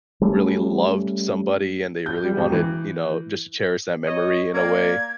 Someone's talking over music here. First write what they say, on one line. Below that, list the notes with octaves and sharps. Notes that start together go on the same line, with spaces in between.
really loved somebody and they really wanted, you know, just to cherish that memory in a way,
G3 A3 C#4
G6
G3
E1
E3
C#5 D#5
A#3 D5 G#6